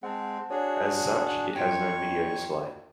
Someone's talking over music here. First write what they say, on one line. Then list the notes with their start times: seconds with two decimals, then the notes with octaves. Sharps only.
As such it has no video display.
0.03 G#3 C4 F#5 A5
0.51 D4 F#4 G#4 C#5
1.55 F2 F4 C#5 G5 C#6